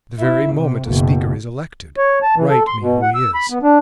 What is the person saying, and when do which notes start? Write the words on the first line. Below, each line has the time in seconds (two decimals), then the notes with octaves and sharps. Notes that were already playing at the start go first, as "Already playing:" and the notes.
The very moment a speaker is elected, write me who he is.
0.20 E4
0.56 C3
0.87 F#1 B2
1.97 C#5
2.22 A5
2.36 E3
2.49 A4
2.67 C6
2.81 B2
3.02 F#5
3.14 E6
3.34 B5
3.50 B3
3.63 D4